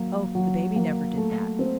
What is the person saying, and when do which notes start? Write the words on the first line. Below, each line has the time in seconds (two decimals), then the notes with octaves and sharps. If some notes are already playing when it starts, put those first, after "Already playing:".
Oh, the baby never did that.
Already playing: F#3 A#3
0.35 F#3
0.76 A#3
1.17 A3
1.59 C4